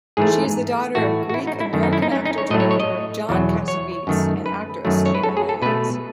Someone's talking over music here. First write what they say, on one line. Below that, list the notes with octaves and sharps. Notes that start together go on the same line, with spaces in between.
She is the daughter of Greek-American actor-director John Cassavetes and actress Gena Rowlands.
G#2 E3 A3 G#4
A2 E3 A3 F#4
F#4
E4
D#4
E4
F#2 D#3 A3
D#4
E4
D#4
C#4
D#4
C#5
A2 F#3 A3 D#5
C#5
C#5
D#5
E2 B2 F#3
C#5
F#2 D#3 A3
B4
F#2 D#3 F#3 A3
C#5
B4
A4
G#4
A4
B2 A3 B4